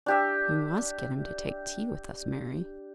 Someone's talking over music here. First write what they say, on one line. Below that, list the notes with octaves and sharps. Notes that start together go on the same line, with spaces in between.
"You must get him to take tea with us, Mary."
D4 G4 E5